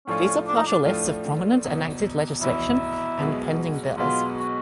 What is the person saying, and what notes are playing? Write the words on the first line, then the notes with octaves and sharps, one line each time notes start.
These are partial lists of prominent enacted legislation and pending bills.
A2 F3 A3 C#4 D4 F4
D4
D#4
D4
A2 F3 A3 D4 F4
F1 E2 B2
F1 E2 B2 E4
B1 B2 G#3 B3
B1 B2 G#3 B3 F4
F#4